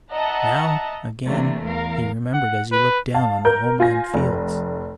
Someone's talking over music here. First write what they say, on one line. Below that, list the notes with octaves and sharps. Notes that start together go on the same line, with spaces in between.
Now, again, he remembered as he looked down on the homeland fields.
D#5 E5 F#5 A5 A#5
C3 E3 A3 A#3 D4
E2 A#4 F5
F#5
B4
F5 A5
A#4 G6
F4 G#5 A#6
F1